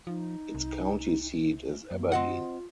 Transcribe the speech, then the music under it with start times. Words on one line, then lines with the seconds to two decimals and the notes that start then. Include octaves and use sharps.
Its county seat is Aberdeen.
0.07 F3 D#4
0.55 C2
1.91 F#2 A#3
2.12 C4 F4 D#5 F#5